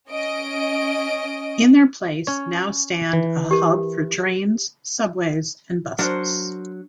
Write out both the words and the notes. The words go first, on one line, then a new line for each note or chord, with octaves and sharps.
In their place, now stand a hub for trains, subways and buses.
C#4 D#5 D7
C#4 C#5
E3
G4 A#4
F#3 D4 A#4 C5